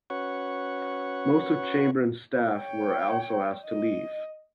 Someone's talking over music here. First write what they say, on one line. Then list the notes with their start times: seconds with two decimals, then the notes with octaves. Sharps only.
Most of Chambrin's staff were also asked to leave.
0.10 C#4 F#4 B4 C#5 F#5 C#6
2.48 C#5 G5
3.66 D#5